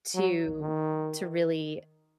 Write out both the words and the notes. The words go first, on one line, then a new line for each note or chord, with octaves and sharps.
to to really
F#3
D#3